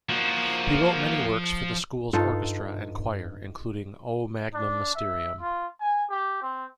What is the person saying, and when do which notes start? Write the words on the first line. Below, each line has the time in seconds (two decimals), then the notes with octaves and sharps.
He wrote many works for the school's orchestra and choir, including "O Magnum Mysterium".
0.09 F3 A#3 F#4
2.13 G2 D#4 F4 A4
4.54 D4
4.95 E5
5.41 F4
5.81 G#5
6.10 G4
6.42 C4